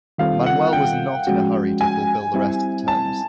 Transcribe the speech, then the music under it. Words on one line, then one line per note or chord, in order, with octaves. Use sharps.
Manuel was not in a hurry to fulfill the rest of the terms.
D#3 G3 C4 F4 A4 F5
F#5
G5
F3 G#3 C#4 F#4
G#5
G3 C4 E4
A5